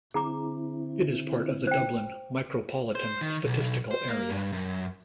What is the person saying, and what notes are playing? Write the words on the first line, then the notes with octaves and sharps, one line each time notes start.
It is part of the Dublin Micropolitan Statistical Area.
D3 C4 E4 G#4 A#5 D6
C5 G5
C5
D#3
B1
C5
A#3
G2
F#2